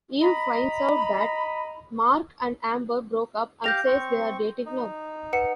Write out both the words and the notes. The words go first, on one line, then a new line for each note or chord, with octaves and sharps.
Eve finds out that Mark and Amber broke up and says they're dating now.
D#5 A#5 B5
G4 F5 D6 G6 A#6 F7
C4 C#6
D#4
B4 F#5 C#7